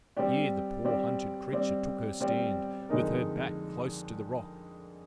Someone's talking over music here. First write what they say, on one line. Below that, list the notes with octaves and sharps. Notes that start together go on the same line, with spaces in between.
Here the poor hunted creature took her stand, with her back close to the rock.
G3 C4 G4 D5
G3 C4 G4 D5
G3 C4 G4 D5
G3 C4 G4 D5
F2 D3 G#3 D#4 A#4